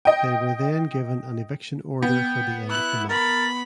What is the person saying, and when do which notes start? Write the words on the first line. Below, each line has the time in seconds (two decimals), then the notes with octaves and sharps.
They were then given an eviction order for the end of the month.
0.05 D#5 G5
2.02 B3 G5
2.70 E4 F#6
3.10 A#4 B5 A6